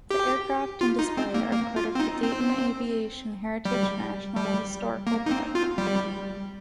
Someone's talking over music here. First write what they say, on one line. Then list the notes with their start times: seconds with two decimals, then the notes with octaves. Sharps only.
The aircraft and display are part of the Dayton Aviation Heritage National Historical Park.
0.11 G4
0.81 F4
0.99 D#4
1.17 C4
1.34 A#3
1.52 A#3
1.76 F4
1.95 C4
1.99 D#4
2.23 C4
3.65 G3
4.36 G3
5.07 A#3
5.26 D#4
5.31 C4
5.55 F4
5.78 G3